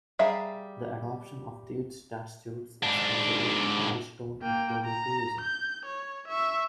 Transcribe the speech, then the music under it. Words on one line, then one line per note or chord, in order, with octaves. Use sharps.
The adoption of these Statutes is considered a milestone in global tourism.
G3 G#4 E5 F5 A#5
G#2 D4
A#3 G5
A#5
G6
C#5
E5 C#6